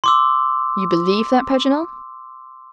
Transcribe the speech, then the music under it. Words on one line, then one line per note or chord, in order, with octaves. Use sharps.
"You believe that, Paganel?"
C6 D6 E6